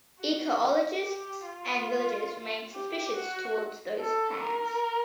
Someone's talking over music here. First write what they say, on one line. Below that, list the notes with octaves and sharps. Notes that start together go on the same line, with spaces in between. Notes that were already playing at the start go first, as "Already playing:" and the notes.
Ecologists and villagers remained suspicious toward those plans.
F#4
G4
F4
G4
F#4
A4
A#4